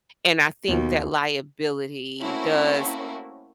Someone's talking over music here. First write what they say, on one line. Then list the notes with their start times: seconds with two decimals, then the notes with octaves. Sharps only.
and I think that liability does
0.68 D#2 B2
2.21 A3 A#3 C4 C#4 E4 F#4